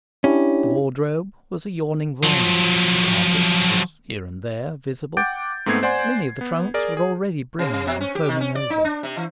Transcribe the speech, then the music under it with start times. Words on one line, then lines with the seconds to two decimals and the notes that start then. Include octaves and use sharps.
The wardrobe was a yawning void, the carpet was here and there visible, many of the trunks were already brimming and foaming over...
0.24 C#4 D4 E4 G4
2.23 F3 F#3
5.17 F#5 G5 D6 G6 A6 D7
5.66 G#2 A3 B3 C4 G#6 C7
5.83 C5 D5 F#5 G#5 C6
6.41 B3
6.74 G#4 A#4 D5
6.97 G#4
7.59 C3
7.73 C3
7.87 B2
8.00 C#4
8.15 G4
8.28 D#3
8.41 C#4
8.55 D5
8.70 D#4
8.85 D4
9.03 C3
9.17 E3